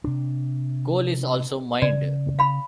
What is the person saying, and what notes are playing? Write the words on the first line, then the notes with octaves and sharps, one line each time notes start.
Coal is also mined.
C3 D4
C#3 D5
F5 B5